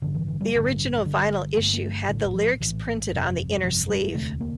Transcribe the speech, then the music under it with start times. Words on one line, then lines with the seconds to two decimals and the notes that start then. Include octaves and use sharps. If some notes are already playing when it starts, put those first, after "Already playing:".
The original vinyl issue had the lyrics printed on the inner sleeve.
0.02 A1 G2 D3 F3
0.14 E3
0.28 E3
0.41 G3
0.53 A1 G2 D3
1.05 G1 G2 D3
1.57 G1 G2 D3 A3
1.73 A#3
1.83 A3
2.08 A#1 A2 D3
2.34 F3
2.60 A#1 A2 E3
3.11 G1 F2 C3
3.63 G1 F2 C3 F3
3.89 G3
4.14 E1 D2 C3 A3
4.41 A#3